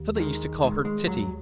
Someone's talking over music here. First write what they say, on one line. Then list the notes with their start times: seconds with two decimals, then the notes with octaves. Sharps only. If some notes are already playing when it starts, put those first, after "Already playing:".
So they used to call her Titty.
Already playing: D#2
0.16 F#3
0.19 D#3 G#3
0.63 D#3 G#3
0.85 G#3
1.07 D#2 F#3